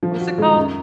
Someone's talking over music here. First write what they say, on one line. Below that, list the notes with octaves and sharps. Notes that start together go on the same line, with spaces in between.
What's it called?
F3
F#4
G#3
F#2